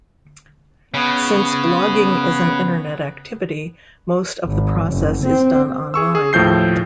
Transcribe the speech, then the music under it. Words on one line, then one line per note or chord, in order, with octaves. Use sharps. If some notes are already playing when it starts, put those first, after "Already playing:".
Since blogging is an Internet activity, most of the process is done online.
C#3 B3
G#1
F#1
C4
G#4 C#6 E6
G#4
D#2 A2 F3 G6 C7